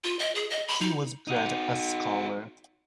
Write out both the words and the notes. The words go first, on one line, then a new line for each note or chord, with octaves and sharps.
He was bred a scholar.
F4
D#5
G#4
D#5
B5
D#4
D#4 F#4